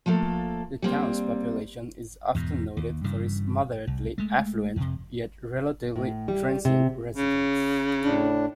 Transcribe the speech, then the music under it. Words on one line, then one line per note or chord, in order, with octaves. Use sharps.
The town's population is often noted for its moderately affluent, yet relatively transient residents.
F3 A3 A#3 A4
G3 A#3 C4
E2 G#2 B2
D#2
G2 C#3 E3
C2
G#3 A3
F2 C3
A2
G3
C3
C#3
A2 D4